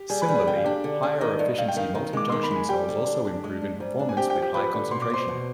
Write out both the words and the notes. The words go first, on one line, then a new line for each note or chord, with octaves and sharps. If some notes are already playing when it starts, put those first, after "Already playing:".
Similarly, higher efficiency multijunction cells also improve in performance with high concentration.
Already playing: G4
G3 G#4 G#5
B4 B5
G3
G#4 G#5
D3 G5
F5
D4 G4 G5
D3
D4
D#3 D#5
G2
G2 F5
G5
D#3 F5
D#3
G#3 D6
D#3 C6
B5
G#3 G#5
G3 G4 G5
D3
D4
D4
G#3
D4
G#2
D4
G#5
C4 G4 G5
G4 G5
F3
G4 G5
F3 B4 B5
D3
B2 C6
D6
B2 C5 C6
B2